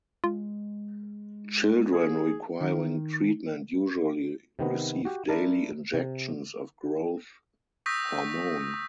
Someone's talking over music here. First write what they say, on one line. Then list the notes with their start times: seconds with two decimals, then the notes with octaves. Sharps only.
Children requiring treatment usually receive daily injections of growth hormone.
0.24 G#3 F4
1.92 G#4
2.61 D#3
4.59 C3 D#3 B3
5.05 F#4 G4
5.29 D4 E4 A#4 A5
5.93 C3
7.86 C#6 D#6 E6 G6 A#6 B6